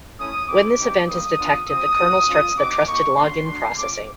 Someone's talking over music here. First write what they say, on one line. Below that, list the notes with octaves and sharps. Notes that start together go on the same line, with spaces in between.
When this event is detected, the kernel starts the trusted login processing.
A3 C#4 E4 D#6
A3 C4 E4 G4 D6
C4 D#4 G4
G3 A#3 D#4 D#6
B3 D4 F4
C4 F4 D#6
A#3 D#4 F#4
G#3 C#4 F4
C4 D#4 F#4 D6
A#3 D#4 G4 C#6
A#3 D4 F#4 C6
A3 D4 F#4 C6
A3 C#4 F4 D6